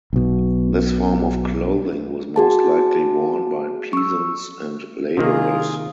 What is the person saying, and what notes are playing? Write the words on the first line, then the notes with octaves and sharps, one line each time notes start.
This form of clothing was most likely worn by peasants and labourers.
B1 B2
F#4 G#4 A5
C#6 E6
C3 D#3 A#3 F4 G#4 F5